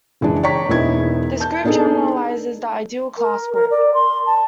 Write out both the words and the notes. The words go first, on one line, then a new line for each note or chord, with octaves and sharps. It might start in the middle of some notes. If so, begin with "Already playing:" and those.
This group generalises the ideal class group.
F#1 E3 G#3 D4
C#5 D5 G5 A#5 C#6 B6
E1 E2 B3 D#4 E4 G#6
A5 G6
B3 D4 D#4 G#4 A4
A#4
A#4
D5
C6
A5